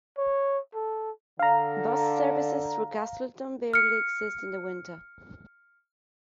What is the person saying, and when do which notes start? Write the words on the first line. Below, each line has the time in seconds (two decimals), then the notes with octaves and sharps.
Bus services through Castleton barely exist in the winter.
0.18 C#5
0.75 A4
1.39 D3 F5 A#5
3.74 F6 C#7